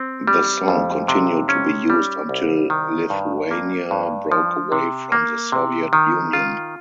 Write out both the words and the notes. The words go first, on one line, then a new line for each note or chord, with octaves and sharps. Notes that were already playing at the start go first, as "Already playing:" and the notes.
The song continued to be used until Lithuania broke away from the Soviet Union.
Already playing: C4
G3
F2
C3
C#4
G3
C2
D#3
G2
A#3
G2
F3
C3
A#3
C3
D#3
F4